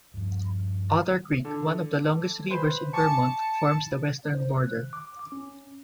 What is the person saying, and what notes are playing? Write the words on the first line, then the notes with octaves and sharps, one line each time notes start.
Otter Creek, one of the longest rivers in Vermont, forms the western border.
G2 F3
D3
B4 C5 C6
G#5 A5 C#6 D6 C#7
C5
F#6
D6
D6
C#4